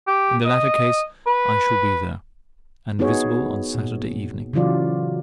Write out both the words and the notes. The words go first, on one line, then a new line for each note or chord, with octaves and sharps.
In the latter case I shall be there, and visible on Saturday evening.
G4
D#5
B4
B3 D#4 F#4 G#4 C#5
A#2
C#3 E3 F#3 F4 D5